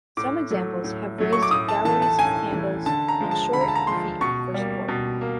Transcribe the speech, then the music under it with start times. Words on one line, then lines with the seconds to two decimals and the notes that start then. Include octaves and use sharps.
Some examples have raised galleries, handles, and short feet for support.
0.17 A2 D6
0.51 F#3 A3
0.84 A2
1.18 F#3 A3
1.33 C#6
1.42 D6
1.51 A2 D#6
1.68 A5
1.85 E3 A3 A5
2.02 A5
2.19 A2 G#5
2.53 E3 A3
2.86 D3 A5
3.08 A#5
3.20 F3 G#3
3.31 A5
3.53 D3 B5
3.61 A#5
3.68 A5
3.75 A#5
3.87 F3 G#3 C6
4.21 B2 C#6
4.54 G3 A#3
4.88 B2
5.21 A#3